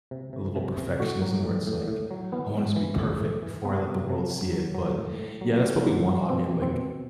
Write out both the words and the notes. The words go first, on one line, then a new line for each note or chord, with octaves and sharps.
a little perfectionism where it's like, I want it to be perfect before I let the world see it, but yeah, that's probably one hobby I'm, like,
C3
C3
C3
C3
A2 F#4
F#3
A2
A2
A2
F#3
E3 B3
E3
E3
A2
A2
E3
C3 B3
C3
C3
F#3
F#3
F#3
A2
A2
F#3
A2
F#3
F#3
B2 C4
B2
C4
B2